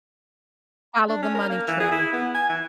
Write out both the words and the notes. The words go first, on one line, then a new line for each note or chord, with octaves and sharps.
Follow the money trail.
D4
C#4
A#4
A#3
E3
G#4
E4
B3
G#5
E3